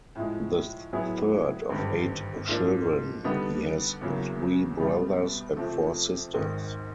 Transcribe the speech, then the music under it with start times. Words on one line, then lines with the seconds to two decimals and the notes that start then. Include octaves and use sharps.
The third of eight children, he has three brothers and four sisters.
0.15 A2 F3 G#3
0.93 A2 F#3 B3 E4 G#4
1.70 G#1 G2 D3 G3
2.47 G#2 F3 A#3 D4
3.24 D3 G3 B3 D#4
4.01 E2 C#3 F#3 A#3
4.80 C2 B2 G3 B3
5.56 F2 C3 F3 A3 C4
6.33 G#1 G#2 D#3